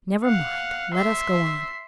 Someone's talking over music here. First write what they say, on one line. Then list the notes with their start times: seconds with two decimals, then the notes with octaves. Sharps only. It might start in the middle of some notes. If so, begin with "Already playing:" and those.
"Never mind; let us go on."
0.24 F5 F#5
0.94 E5 C6